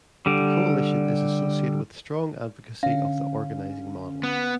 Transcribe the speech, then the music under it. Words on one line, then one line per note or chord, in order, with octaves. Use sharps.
The coalition is associated with strong advocacy of the organizing model.
D3 G3
D3 C#4 F5
B3